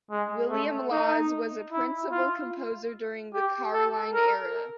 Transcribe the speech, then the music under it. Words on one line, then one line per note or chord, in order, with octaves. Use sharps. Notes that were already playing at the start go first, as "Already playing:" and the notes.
William Lawes was a principal composer during the Caroline era.
G#3
A3
D#4
E4
F4
G4
A4
A#4